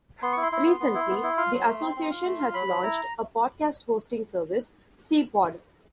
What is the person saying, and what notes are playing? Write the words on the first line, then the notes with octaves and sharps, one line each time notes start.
Recently the association has launched a podcast hosting service, C pod.
B3 C6
E4 C#6
C6
E4
B3
B3
E4
B3
E4
F4 C6
F#3
A3
C4
C4
F4
A3
F4
F#3 B5
F#3
E4 A#5